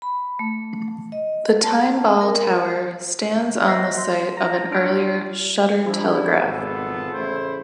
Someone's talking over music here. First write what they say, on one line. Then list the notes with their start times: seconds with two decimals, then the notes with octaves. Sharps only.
The Timeball Tower stands on the site of an earlier "Shutter Telegraph".
0.02 B5
0.39 A3
1.12 D#5
1.63 A5
2.21 A#4
3.65 C5 D#5 E5 F#6 A#6 C7
3.97 C6
4.37 A#5 A#6
4.71 D4 F4 C#5 F6 D7
5.85 F3 G3 D4 E4
6.41 G#1 B2 G#3 B3 F4 A4
7.12 A1 A2 C#3 A3 E4 C5